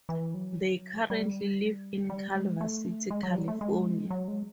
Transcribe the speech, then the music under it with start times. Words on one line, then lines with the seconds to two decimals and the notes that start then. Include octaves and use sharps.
They currently live in Culver City, California.
0.09 E3
0.34 F#3
1.10 G3
2.10 G3
2.35 G#3
2.61 A3
3.11 G#3
3.23 F#3
3.36 G3
3.48 A3
3.61 G#3
4.10 F#3
4.28 G#3